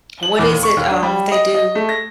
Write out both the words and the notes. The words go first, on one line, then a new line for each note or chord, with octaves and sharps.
what is it? Um, what they do
F#7
E2
D#2
C#6
D#2
D4
G3
D#5
D#5
A3
A#6